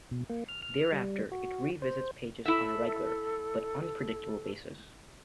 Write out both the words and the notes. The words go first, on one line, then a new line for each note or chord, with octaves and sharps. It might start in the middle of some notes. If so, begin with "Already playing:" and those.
Thereafter it revisits pages on a regular, but unpredictable basis.
B2
A#3
F6
F6
G3
F#4
C5
E4 A4 E5